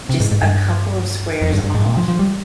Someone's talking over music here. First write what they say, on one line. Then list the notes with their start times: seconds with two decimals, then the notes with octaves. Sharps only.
just a couple of squares off,
0.09 C3
0.20 G#2
0.32 G#2
0.43 G2
1.42 F2
1.53 G2
1.64 G2
1.75 G#2
1.86 A#2
1.97 F3
2.08 F3
2.19 G3